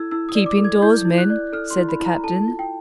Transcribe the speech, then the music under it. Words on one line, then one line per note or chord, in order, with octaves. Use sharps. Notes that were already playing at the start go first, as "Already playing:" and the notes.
"Keep indoors, men," said the captain.
Already playing: E4 A4 E6 G#6
E4 E6
D#6
D5
D6
A4
G#6
E4 G6
E4
F#6
D5
A4 F6
C6
E4
B5
E4
A#5
A4 A5
F4
G5